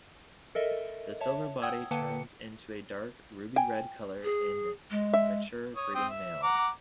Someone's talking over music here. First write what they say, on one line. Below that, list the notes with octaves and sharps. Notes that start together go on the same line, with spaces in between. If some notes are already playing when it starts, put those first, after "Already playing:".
The silver body turns into a dark ruby red color in mature, breeding males.
A4 A#4 D#5 E5
C#5 E5 A5
F#5 G5 D#6 E6 G#6
D3 A#3 B4 G5 A5 C#7
G5 G#5
G#4
G#3
E5
C#5 D#6
C4 G5 D#6
E5
F#5 A#5 D6